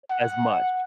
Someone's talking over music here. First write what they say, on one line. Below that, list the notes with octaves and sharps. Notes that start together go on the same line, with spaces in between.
as much.
F#5